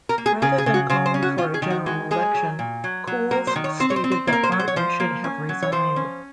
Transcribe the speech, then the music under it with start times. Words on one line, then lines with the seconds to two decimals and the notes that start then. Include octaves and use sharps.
Rather than calling for a general election, Cools stated that Martin should have resigned.
0.09 A#4
0.18 A#3
0.26 G#4
0.42 C#3 G#4
0.58 G#4
0.66 C#3
0.74 F#4
0.90 C#3 C5
1.06 C5
1.14 C#4
1.22 F#4
1.38 D#3 F4
1.54 G#4
1.62 D#3
1.70 F#4
1.86 G#3 F#4
2.11 G#3 G#4
2.35 F#3
2.59 A#2
2.84 F#3
3.07 F#3
3.31 A#3 A#4
3.47 C5
3.56 D#3
3.64 C#5
3.80 C4 C5
3.90 C#5
3.96 C5
4.04 C4
4.11 C5
4.27 A#3
4.32 A#4
4.43 C5
4.52 F#3
4.60 C5
4.68 C#5
4.76 F3 C5
5.00 A#3
5.24 C#4
5.49 F#3
5.62 C#5
5.72 F3 C5
5.96 C#4